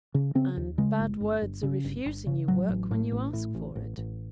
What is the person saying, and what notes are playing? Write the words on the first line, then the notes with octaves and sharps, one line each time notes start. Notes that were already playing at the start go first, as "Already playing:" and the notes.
'And bad words are refusing you work when you ask for it.'
C#3
C#3 C4
D#2
C#3 G#3
G1
G1
G1
C#3
G1
G1
C#3
A1 F#3
A1
A2
A1
A2
A1
A1
A1